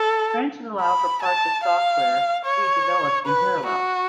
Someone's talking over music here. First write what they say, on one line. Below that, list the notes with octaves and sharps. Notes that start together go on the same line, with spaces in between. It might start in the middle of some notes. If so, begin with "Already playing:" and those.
Branches allow for parts of software to be developed in parallel.
Already playing: A4
B5
A5
F5
C#5
B4
F#4